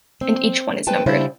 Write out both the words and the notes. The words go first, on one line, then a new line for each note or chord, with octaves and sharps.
And each one is numbered.
C4
B4 C5 G5 A5
C#3 G3 D4 E4 C5